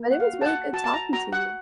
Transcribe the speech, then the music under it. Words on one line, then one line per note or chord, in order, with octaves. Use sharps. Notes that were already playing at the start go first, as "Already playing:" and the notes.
But it was really good talking to you.
Already playing: A#3
F#5
F5
F#4
A5
F#5
F#4 A5
A5
A#5
F#4 A#5
F#5